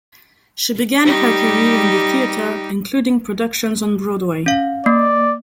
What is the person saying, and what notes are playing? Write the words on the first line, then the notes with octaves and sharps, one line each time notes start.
She began her career in the theater, including productions on Broadway.
G3 D#4 G4
C#4 F5
A#3 D5